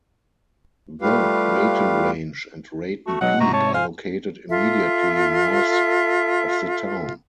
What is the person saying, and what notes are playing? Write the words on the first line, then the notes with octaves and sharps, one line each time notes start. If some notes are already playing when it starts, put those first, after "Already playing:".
The Raton Range and Raton Peak are located immediately north of the town.
G3 A3 F4 G4 B4 F5
A3 F#4
B2 F#3 G#3 D#4 F#5
G#2 C3 F#4 A#5
C#5 A5
C5 F5 G#5
F4 A4 E5